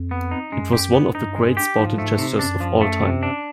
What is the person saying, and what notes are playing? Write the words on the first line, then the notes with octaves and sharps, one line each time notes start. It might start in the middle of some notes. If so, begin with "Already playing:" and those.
It was one of the great sporting gestures of all time.
Already playing: F2
B3
D#4
F#2 G#3
G4
B3
G2 D#4
G#3
G4
G#2 F3
A3
C3
F#2 D4
F3
A3
C3
D4